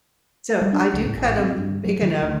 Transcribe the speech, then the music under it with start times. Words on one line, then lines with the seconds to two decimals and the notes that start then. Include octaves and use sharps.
so, I do cut 'em big enough
0.61 G3
0.73 D4
0.94 C#2
1.06 A2
1.17 A1
1.38 C4
1.58 G2
1.85 F#3
2.02 D#3
2.22 D2